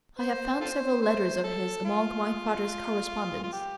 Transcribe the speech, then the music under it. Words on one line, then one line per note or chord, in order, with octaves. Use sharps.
I have found several letters of his among my father's correspondence.
C5
F4 A4 C5
C5
A4
F4
F4
G4